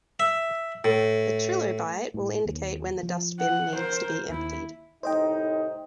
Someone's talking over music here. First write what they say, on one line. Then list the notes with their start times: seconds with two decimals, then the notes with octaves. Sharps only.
The Trilobite will indicate when the dustbin needs to be emptied.
0.20 E5
0.84 A2
2.14 A2
2.46 D#2
3.03 F3
3.40 F#5
3.75 A#4 C5
4.29 D#2 E4
5.03 C2 A2 D#4 C5 D#5 G5